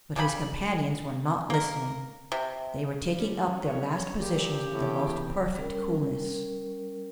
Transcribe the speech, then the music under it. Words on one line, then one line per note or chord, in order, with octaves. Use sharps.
But his companions were not listening; they were taking up their last positions with the most perfect coolness.
C#3 G3 D#4 B5
A#3 A#4
C3
G3 C#4
B2 C#5
A#2 G4
A2 C3 E3 B3
G3 C#4 A#4